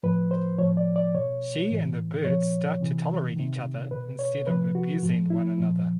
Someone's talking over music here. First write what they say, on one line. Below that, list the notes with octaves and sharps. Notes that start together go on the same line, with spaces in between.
She and the bird start to tolerate each other instead of abusing one another.
A2 F3 B4
C5
A2 F3 C#5
D5
D5
B2 C#5
A2 E3
A#2 F3 C#5
C3 E3
C3 D#3
B2 B4
C#5
C3 F3 B4
F#4
A2 F3
E4
A#2 F3